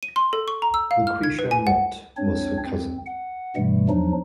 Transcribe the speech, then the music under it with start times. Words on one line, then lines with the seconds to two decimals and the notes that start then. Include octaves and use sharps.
Lucretia Mott was her cousin.
0.03 D#7
0.16 C6
0.33 A4
0.48 C#6
0.62 A#5
0.74 E6
0.91 F5
1.07 F6
1.24 G#6
1.39 B4
1.51 G#5
1.67 F#5
2.17 C4 D4 C#5
2.66 C4
3.06 F#5
3.56 G2 B2 E3 G3 A3
3.89 E2 F3 F#3 D4 D#4